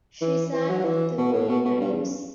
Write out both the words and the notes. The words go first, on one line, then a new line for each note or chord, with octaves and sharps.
She sang "Tivoli Nights".
E3
E3
F#3
F#3
E3
B2
A2
B2
B2
G2
E2
F#2